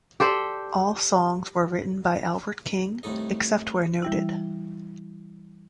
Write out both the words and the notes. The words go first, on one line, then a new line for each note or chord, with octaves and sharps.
All songs were written by Albert King, except where noted.
G4 A4 C5 D5
C2 A2 D#3 A4 D#5
E3 G3 E4